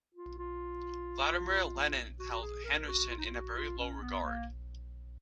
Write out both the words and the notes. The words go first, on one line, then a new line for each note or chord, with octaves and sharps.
Vladimir Lenin held Henderson in very low regard.
F4
F4
F#4
F#4
G#4
A#4
F#4
F4
D#4
F4
F#4
F4
C#4
B3
A#3